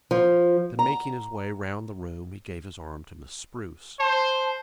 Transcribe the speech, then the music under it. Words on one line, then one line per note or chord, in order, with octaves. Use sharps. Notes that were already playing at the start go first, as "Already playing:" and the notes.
Then making his way round the room, he gave his arm to Miss Spruce.
F3
A#5
C5 A5